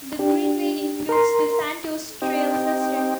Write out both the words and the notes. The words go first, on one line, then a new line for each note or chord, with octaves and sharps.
The Greenway includes the Santos Trail System.
D4 G4
A#4 A#5 C6
C4 D#4 G4